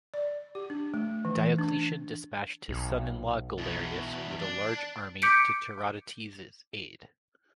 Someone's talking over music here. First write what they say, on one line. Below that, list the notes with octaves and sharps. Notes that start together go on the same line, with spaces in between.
Diocletian dispatched his son-in-law Galerius with a large army to Tiridates's aid.
D5
G4
D4
A3
E3
D4
B1
E2 B2
D4
D6 G6 B6 C#7 D7